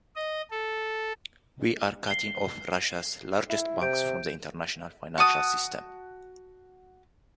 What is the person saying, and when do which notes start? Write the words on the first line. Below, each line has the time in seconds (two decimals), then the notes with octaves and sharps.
We are cutting off Russia’s largest banks from the international financial system.
0.16 D#5
0.51 A4
2.07 C7 G7
3.50 E4
3.81 C3 G6 D7
5.18 F#4 A5 D#6